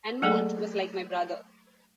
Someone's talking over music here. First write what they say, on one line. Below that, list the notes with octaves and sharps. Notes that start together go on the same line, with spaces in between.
And Monte was like my brother...
F#3 A3 A#3 G#4 A4 D5